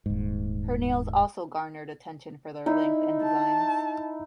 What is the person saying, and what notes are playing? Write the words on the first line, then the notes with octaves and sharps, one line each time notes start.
Her nails also garnered attention for their length and designs.
D#1 G#2
D#4 E4
A5